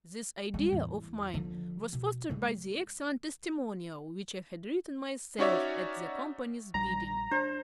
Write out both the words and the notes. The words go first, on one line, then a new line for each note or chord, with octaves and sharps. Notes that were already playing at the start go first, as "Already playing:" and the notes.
This idea of mine was fostered by the excellent testimonial which I had written myself at the Company's bidding.
G3 G#3
E2 A2
D3 F3
B2
D3 G#3
C#4 D#4 F#4 C#5 D5 E5
A#1 G3 A#5
D4 C5